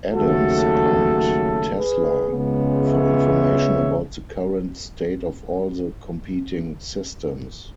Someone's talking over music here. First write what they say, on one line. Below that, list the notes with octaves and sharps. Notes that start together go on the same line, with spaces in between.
Adams pumped Tesla for information about the current state of all the competing systems.
D#2 C#3 F#3 A3 F#4 A4
G#4 B4
C#2 C#3 G#3 B3
C#5 E5